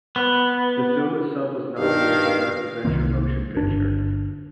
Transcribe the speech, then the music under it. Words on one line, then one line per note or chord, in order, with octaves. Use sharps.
The film itself was nominated for best adventure motion picture.
B3
G2 D#3 F5
C2 D#3 A#3 C4
G1 D4